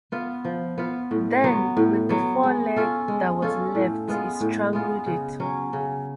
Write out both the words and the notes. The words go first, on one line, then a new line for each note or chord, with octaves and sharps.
Then with the foreleg that was left, it strangled it.
B3 F4 B4
F3
B3 F4 B4
A2
F#3 B3
A2
F#3 B3
G#3
C#4 F4 A4
G#3
C#4 F4 A4
A2
G#3 B3 F4
A2
G#3 B3 F4
C#3
F#3 C#4
C#3